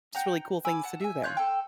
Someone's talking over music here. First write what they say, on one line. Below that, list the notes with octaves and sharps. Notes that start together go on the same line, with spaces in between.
just really cool things to do there.
F#5 G5 A#5
G#5 B5 D6 E6
F#5 A5
E5 G#5
F4 C#5 F#6 G6
A4 G5